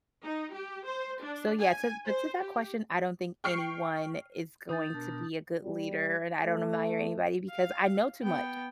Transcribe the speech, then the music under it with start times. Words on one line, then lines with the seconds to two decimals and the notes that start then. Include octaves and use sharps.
So yeah. So but to that question, I don't think anyone is going to be a good leader, and I don't admire anybody because I know too much.
0.25 D#4
0.53 G4
0.86 C5
1.22 D4
1.60 G#5
2.06 C5
2.41 G4
3.44 G5 C#6 F6 C7 C#7
4.69 D#3 E3 D#4 D#6 G6 A6
4.92 B2 D4 A#4
5.64 G3
6.44 A3
7.50 F5
8.23 B3 G5